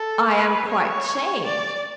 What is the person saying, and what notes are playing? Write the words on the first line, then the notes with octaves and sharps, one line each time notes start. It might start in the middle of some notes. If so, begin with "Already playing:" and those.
I am quite changed.
Already playing: A4
B4
C#5
D5